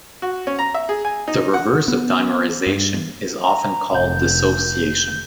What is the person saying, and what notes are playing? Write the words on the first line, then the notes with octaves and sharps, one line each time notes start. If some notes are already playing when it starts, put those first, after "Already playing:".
The reverse of dimerisation is often called dissociation.
F#4
C#4
A#5
E5
G#4
G#5
D#4
F#5
B3
G2
A#5
F1 G6